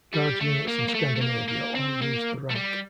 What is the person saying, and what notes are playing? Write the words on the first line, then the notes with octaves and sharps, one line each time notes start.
Guards units in Scandinavia all use the rank.
G3
A3
A#3
A#3
A3
A3
A#3
A#3
C4
A#3
A3
G3